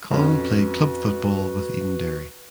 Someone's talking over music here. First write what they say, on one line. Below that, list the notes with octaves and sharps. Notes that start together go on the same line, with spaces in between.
Cullen played club football with Edenderry.
F2 C#4 F#4 B4